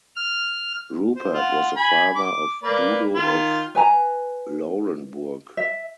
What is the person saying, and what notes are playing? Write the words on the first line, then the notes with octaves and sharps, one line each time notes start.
Rupert was the father of Dudo of Laurenburg.
F6
C5
F4 F#5
G#5 B5
D6
A#3 B4 D5
D#3 F4
B4 G#5 A#5
E5